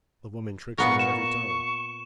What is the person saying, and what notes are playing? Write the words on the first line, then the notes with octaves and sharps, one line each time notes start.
The woman tricks me at every turn!
A#2 B3 A#4 C#6
C#6 E7